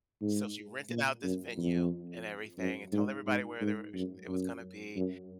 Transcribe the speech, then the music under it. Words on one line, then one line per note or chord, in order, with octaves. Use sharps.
So, she rented out this venue and everything and told everybody where there were sh it was gonna be,
G#2
A#2
F#2
F2
F#2
G#2
G#2
G#2
F#2
F#2
F#2